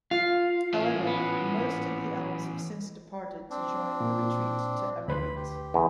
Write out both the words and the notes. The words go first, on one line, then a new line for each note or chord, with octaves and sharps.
However, most of the elves have since departed to join the retreat to Evermeet.
F4 F5
E3 C#4
B3
C4 D4
A#2
D2 B4 B5 C6
G4
E2